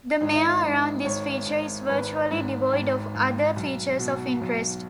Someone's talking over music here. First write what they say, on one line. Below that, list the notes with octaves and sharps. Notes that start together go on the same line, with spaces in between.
The mare around this feature is virtually devoid of other features of interest.
G#1 D#4
E4
D#4
G#1
G#1 C#5
G#1
G#1 B4
G#2
G#1
G#1
B1
B2
B1